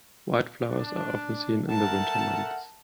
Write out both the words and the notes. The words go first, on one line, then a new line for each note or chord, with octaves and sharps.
White flowers are often seen in the winter months.
D4
A3 A#4 F#5 A5